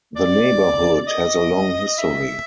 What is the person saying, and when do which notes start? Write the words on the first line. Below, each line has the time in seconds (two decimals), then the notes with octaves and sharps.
The neighbourhood has a long history.
0.16 D5
1.07 D#5
1.98 E5